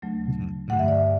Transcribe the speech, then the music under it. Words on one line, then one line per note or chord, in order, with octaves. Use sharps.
Mhm, mhm.
D2 C#3 F#3 A3
G2 D3 A3 F#5
E5
D5